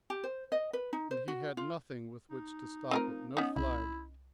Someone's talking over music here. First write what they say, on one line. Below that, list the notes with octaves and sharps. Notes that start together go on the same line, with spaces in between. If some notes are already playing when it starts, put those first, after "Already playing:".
And he had nothing with which to stop it, no flag.
G4
C5
D#5
B4
D#4
C5
F#4
F4
D#4
A3 C4 F4 A#4 D#7
B3 C#4 D#4
C2 E4